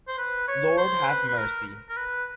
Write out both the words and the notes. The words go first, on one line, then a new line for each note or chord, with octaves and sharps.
Lord Have Mercy!
C5
B4
C#5
C5
B4
B4
A#4
A#4
B4